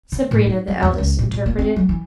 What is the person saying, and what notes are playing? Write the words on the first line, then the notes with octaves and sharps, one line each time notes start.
Sabrina, the eldest, interpreted.
D3
A2
D#4
G3
E2
C#2
A2
A#2
A#3
C4
F#3
E3